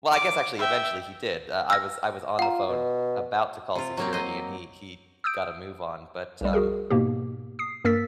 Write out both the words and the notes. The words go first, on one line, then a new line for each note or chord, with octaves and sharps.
well, I guess, actually, eventually, he did, uh, I was I was on the phone about to call security, and he he got a move on, but, um,
D6
E5 G5
E6 F6 A#6
F4 F#5 A#5
B2
C3 F4
F#3 A#3 C4
C5 D#5
D#6 E6 G6 D7
B1 G3
F#4 G#4 A#4
G#2 B2 A#3 B3 G4
D#6 C7
G2 A#3 A#4 E6 A6 B6